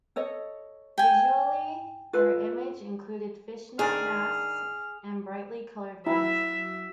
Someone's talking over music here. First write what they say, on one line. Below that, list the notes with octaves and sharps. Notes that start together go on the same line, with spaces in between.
Visually, their image included fishnet masks and brightly coloured wigs.
A4 C#5 D#5
G5 G#5
F4 A4 B4
D#3 D4 G#4 D5 F6
F#3 E4 F#4 E5 E6